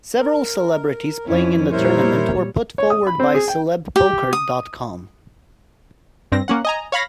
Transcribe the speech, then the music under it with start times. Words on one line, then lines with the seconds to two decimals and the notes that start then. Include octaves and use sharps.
Several celebrities playing in the tournament were put forward by celebpoker dot com.
0.19 A#4
1.26 F2 C#4 E4
1.72 A#2 G3 E4 A#4 C5 C#5
2.78 C#5
2.90 D#6
3.07 B5
3.19 C4
3.34 G#4
3.48 G5
3.96 G4
4.33 D#6
6.32 G2 C4 A#6
6.48 A#3 C#4 F#5
6.65 D#5 G#5 A#5
6.92 C#5 F5 B5 A#6